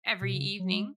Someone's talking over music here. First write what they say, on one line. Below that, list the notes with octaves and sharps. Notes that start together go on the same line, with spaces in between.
every evening.
B2
C#3
F#3
G#3